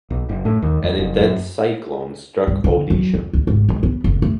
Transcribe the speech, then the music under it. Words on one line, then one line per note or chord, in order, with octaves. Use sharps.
An intense cyclone struck Odisha.
B1
F#1
A2
D#2
F2
F#1
F#2
G2
D3
F#3
F2
D2
G#1
G#2
B3
F#1
A3